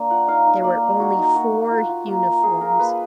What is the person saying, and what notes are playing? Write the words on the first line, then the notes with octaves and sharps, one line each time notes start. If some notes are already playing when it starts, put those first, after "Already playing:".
There were only four uniforms.
Already playing: A#3 D4
F4 F#5
D#4 F5
D#4
A#3 D5
A#3
D#4 F#4
D#4
A#3 F#4
A#3
F4
F4
A#3
A#3
F4 G#4
F4 A#4
A#3 B4